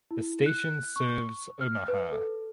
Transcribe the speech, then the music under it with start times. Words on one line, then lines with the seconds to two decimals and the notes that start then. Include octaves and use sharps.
The station serves Omaha.
0.11 E4
0.46 F#6
0.96 C#6
1.61 F6
1.88 B4
2.12 A4